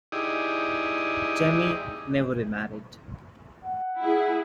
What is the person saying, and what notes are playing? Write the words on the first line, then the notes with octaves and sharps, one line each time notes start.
Jemy never remarried.
D#4 E4 G4 G#4 D5 D#5
F#5
E4 G#4